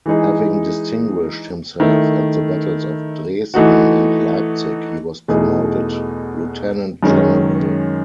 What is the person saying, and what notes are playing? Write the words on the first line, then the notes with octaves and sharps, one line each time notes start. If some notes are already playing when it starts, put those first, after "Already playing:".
Having distinguished himself at the battles of Dresden and Leipzig he was promoted lieutenant-general.
E3 G#3 D#4 G#4
D#3 A3 E4
E3 A3 D#4 F#4
E2 B2 A3 D#4 G#4
F#2 D#3 G#3 C#4